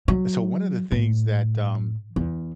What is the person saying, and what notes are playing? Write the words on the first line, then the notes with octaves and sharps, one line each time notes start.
So, one of the things that, um,
F#3
A2
E2